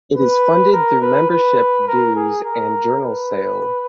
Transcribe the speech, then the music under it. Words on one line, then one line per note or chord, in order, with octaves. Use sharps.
It is funded through membership dues and journal sale.
B4
A#4
B4
B4
A#4
G#4
A#4
B4